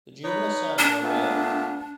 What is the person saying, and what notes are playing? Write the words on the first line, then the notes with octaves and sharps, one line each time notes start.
The juvenile salmon are male.
D#4 B4 C#5
D4
A#2 A3 B3